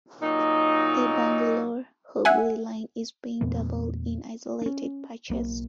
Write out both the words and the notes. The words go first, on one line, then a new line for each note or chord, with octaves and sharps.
The Bangalore-Hubli line is being doubled in isolated patches.
A#2 F#3 D#4
E5 F#5 G#5
E2 A#2 A3 B3
C#4 D4
B1 A#3